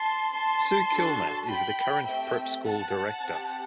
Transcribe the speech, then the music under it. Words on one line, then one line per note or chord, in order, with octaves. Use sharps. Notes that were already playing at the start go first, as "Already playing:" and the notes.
Sue Kilmer is the current prep school director.
Already playing: A5 C6
A5 C6
D4 F#4 A4
G5 B5
A3 C4 G4 E5 G5
F#5 A5
C4 G4